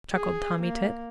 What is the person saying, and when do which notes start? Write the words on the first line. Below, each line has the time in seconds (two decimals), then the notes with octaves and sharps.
Chuckled Tommy Tit.
0.13 G#4
0.62 A#3